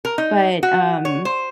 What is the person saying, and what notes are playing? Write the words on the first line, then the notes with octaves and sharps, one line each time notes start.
But, um,
A#4
D#4
F#4
C#5
C5